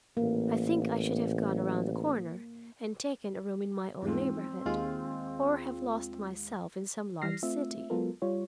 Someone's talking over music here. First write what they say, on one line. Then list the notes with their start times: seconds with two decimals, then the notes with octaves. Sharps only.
I think I should have gone around the corner and taken a room in my own neighborhood, or have lost myself in some large city.
0.17 A1 A#3
4.03 E2 G#2 F3 C4
4.66 D#2 G#3 F4
7.22 E3 G3 F6 A#6 C7
7.43 A3 C4 F4 E5
7.90 F#3 G#3 B3 F4 A4 A#4
8.22 G3 F4 C#5